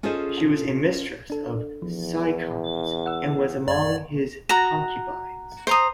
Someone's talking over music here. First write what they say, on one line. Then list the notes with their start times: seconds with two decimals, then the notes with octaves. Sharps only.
She was a mistress of Physcon's and was among his concubines.
0.03 C#4 F4 G#4 A4 C5 D#5
1.30 D4 A4
1.82 E2 F3
3.06 F#5 E6
3.68 F#2 D5 G#6
4.49 F#4 A#5
5.67 C5 A#5 D#6